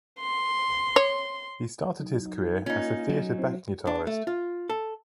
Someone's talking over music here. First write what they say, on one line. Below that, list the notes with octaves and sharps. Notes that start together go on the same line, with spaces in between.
He started his career as a theatre backing guitarist.
C6
C#5
F#3 D#4
A#3 C#4 D#4 F4
F#3
C4 E4 C5
D4
A3
F4
A4